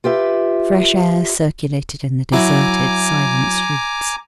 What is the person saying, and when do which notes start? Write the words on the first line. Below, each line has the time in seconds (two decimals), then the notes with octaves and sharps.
Fresh air circulated in the deserted, silent streets.
0.04 F4 G4 B4 E5
2.32 F#3 E4 F#4 G#5 A#5 D6